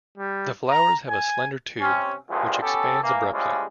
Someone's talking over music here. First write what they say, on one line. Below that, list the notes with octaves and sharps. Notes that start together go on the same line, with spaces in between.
The flowers have a slender tube which expands abruptly.
G3
A#5
G#5
C3 C#4
E2 G2 A#2 F3 G#3
B3 C#4 G4 A4
E3 A#3
A2 C#3 F3 G3 G#3